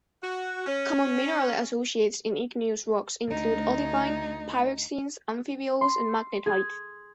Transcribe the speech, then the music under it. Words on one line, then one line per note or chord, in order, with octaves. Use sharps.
Common mineral associates in igneous rocks include olivine, pyroxenes, amphiboles and magnetite.
F#4
C#4
D2 D#4
C6
G#4